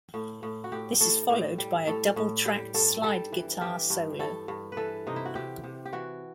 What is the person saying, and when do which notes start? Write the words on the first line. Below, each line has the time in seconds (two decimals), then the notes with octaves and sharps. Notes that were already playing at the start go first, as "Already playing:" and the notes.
This is followed by a double-tracked slide guitar solo.
0.14 A2
0.43 A2
0.64 F#4
0.72 A2 G4
1.01 A2 A4
1.30 A2
1.58 G3
1.87 A2 A4
2.16 A2
2.45 G3 G4
2.74 G2 A4
3.03 G3 A4
3.32 E3
3.61 E3 G4
3.90 G2
4.20 G2 A4
4.48 G2
4.72 B4
4.77 E3 A4
5.07 C3 D#4
5.16 E4
5.25 F#4
5.35 C3 G4
5.64 C3
5.85 G4
5.93 E3 F#4